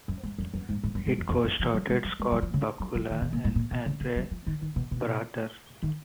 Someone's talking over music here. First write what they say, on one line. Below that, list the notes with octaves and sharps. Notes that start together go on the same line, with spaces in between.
It co-starred Scott Bakula and Andre Braugher.
F#2
G#2
F#2
F#2
G#2
G#2
F#2
G#2
F2
F2
F#2
F3
F#3
G#3
F#3
G#3
F#3
F3
C#3
F#3
F3
D#3
B2
A#2
G#2
A#2
B2
C#3
C#3
F#3
F3
D#3
D#3
B2
B2
D#3